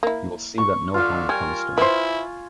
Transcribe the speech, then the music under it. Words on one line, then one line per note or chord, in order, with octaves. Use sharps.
You will see that no harm comes to him.
A#3 E4
C#6
D3 F4 F5
G3 A#4 G#5
E4 B4 C5